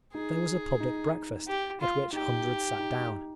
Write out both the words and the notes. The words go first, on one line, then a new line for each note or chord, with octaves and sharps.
There was a public breakfast, at which hundreds sat down.
D#4 G#4
D#4
G4
F4
D#4 G4
D#4
D#4